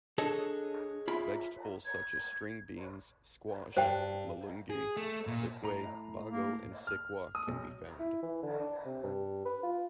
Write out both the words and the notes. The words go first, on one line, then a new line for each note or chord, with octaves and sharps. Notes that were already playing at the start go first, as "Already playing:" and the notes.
Vegetables such as string beans, squash, malunggay, likway, bago and sikwa can be found.
D4 G#4 A4 C#5 D#5
F4 E5 B5
G#6
G2 C5 G5
G#4
A3
A#2
A2 A#5
A#3
F6
D#6
B1
E4
E3
D3
D4
C3
G2
B4
F4